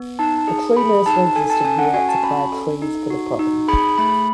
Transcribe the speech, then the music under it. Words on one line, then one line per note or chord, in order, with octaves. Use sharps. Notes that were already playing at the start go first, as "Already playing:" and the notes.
A tree nursery existed here that supplied trees for the province.
Already playing: B3
D#4 A5
G#4
G#4 B5
D#4 A5
A4 G#5
A5
C#4 G#5
F#5
F#4 G#5
A5
C#4 B5
A4
D#4
F#4
D#4
G#4 B5
A3 B5